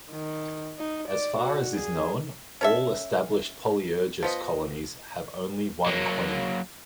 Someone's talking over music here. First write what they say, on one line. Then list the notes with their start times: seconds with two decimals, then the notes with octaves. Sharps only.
As far as is known, all established "Polyergus" colonies have only one queen.
0.11 D#3
0.79 D#4
1.08 D5
1.40 F#4
1.74 G#4
2.61 C#4 A4 E5
4.23 F3 B3 D#5
5.86 F#3 A#3